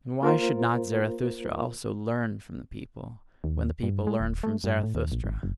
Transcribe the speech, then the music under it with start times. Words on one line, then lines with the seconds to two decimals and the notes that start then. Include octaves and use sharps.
And why should not Zarathustra also learn from the people, when the people learn from Zarathustra?
0.22 A#3 F4 A#4 C5
3.44 D#2
3.83 G2
4.07 G#3
4.20 D#1
4.43 A3
4.64 G2
4.83 A2
4.95 D#2
5.12 A#1
5.24 G#1
5.43 F#1